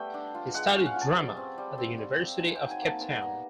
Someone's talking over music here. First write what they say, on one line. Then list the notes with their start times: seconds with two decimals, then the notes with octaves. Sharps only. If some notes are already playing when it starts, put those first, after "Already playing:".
He studied drama at the University of Cape Town.
Already playing: G3 A3 B3 E5 G5
0.14 D4
0.35 F4
0.54 G#3 F#5
0.70 F5
0.76 C#4
0.86 F#5
0.96 F4
1.01 A5
1.16 G3
1.37 C4
1.58 G3
1.78 C4
1.98 G3
2.19 C4
2.39 D#4 G#5
2.55 F#3 G5
2.71 G#5
2.81 A#3 A5
3.01 B3 G#5
3.22 G3 A#5